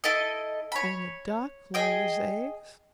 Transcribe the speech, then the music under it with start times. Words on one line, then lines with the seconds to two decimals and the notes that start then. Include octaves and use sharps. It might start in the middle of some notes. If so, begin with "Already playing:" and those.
And the Duck lays eggs.
0.04 E4 A4 D#5
0.72 C#5 B5
1.74 G#4 D#5 G5